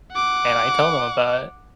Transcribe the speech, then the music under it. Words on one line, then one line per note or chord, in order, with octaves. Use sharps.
and I tell them about it
F#5 D6